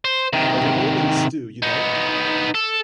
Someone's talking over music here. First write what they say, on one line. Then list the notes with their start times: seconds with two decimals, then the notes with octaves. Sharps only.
But they always do, you know.
0.05 C5
0.33 C3 D#3
1.62 B3 D#4
2.55 A4